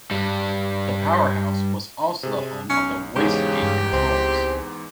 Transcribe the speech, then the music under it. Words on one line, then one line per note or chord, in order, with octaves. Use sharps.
The powerhouse was also the home of the waste gate controls.
G2 G3
C3 G#4
B1 C#4
E2 G#2 C#3 G4
G2
C#2 C4